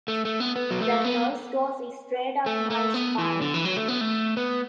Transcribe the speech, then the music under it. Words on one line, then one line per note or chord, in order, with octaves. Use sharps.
That noise goes straight up my spine.
A3
A3
B3
B3
F#3
A3
B3
A3
A3
B3
E3
D3
E3
F#3
A3
B3
A3
B3